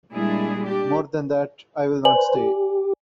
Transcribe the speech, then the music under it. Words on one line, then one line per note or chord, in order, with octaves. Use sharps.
More than that, I will not say.
A#2 G3 G#3 D4 E4 G#4
D4 G4
B4 C5 D5 G#5 F#7
G4